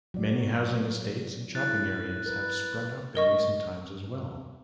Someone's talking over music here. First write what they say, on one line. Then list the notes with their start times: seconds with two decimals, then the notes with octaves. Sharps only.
Many housing estates and shopping areas have sprung up in recent times as well.
0.14 F#3 D5
1.55 E4 F#6 A6
2.26 A#4 B4
3.15 A#4 D#5 C#6